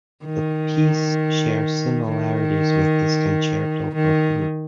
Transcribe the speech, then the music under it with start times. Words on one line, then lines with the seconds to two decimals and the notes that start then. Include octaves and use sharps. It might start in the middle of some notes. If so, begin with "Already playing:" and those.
The piece shares similarities with his concerto for flute.
0.24 D#3
2.09 D#3
3.95 D#3